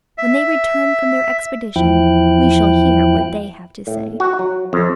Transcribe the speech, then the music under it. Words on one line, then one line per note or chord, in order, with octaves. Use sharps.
When they return from their expedition, we shall hear what they have to say.
E5
E2 F3 E4 G5 F#6
A2
F#4
F#3
F2